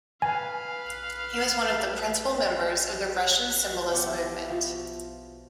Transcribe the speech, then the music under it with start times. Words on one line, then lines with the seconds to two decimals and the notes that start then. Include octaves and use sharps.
He was one of the principal members of the Russian Symbolist movement.
0.22 B4 F5 G#5
3.91 F3 B3 F4 G4
4.06 E4
4.48 B2 F3 F4